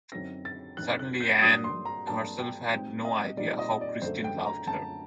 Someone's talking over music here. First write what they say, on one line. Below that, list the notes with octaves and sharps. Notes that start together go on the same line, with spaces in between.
Certainly Anne herself had no idea how Christine loved her.
F#2 D3 F#3 C4 D#4 A#6
A6
F#2 D3 F#3 C4 D#4 F#6
F#6
G6
G2 F#3 A#3 D4 D#6
C6
A#5
G2 F#3 A#3 D4 A5
G5
A#2 G3 C4 D#4 G5
D#5
A#2 G3 C4 D#4 D5
D#5
D5
F#2 D3 A3 C5
G5
A#5
F#2 D3 A3 A5